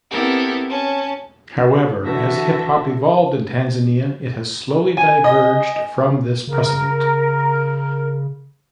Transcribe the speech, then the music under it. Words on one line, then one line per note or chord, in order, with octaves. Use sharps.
However, as hip-hop evolved in Tanzania, it has slowly diverged from this precedent.
B3 C4 E4 G4 A4 A#4
C#4 A5
D3 E3 F#4 E5 A5 A#6
G#5
D#5
C#3 A#4